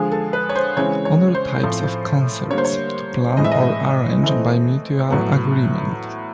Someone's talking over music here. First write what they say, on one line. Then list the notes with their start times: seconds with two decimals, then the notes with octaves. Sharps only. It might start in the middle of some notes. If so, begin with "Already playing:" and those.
Other Types of concerts, To plan or arrange by mutual agreement.
Already playing: D3 F3 G#3 G#4
0.12 A4
0.33 B4
0.49 C#5
0.55 C5
0.77 C#3 E3 G#3 C4 C#5
1.05 C#5
1.35 C5
1.63 A2 F3 A3 C4
2.50 D3 G3 A#3 C#5
2.58 C5
2.65 C#5
3.37 A2 E3 G#3 C4 D#5
3.44 E5
3.51 D#5
4.23 E3 A3 C4
5.10 A2 F#3 B3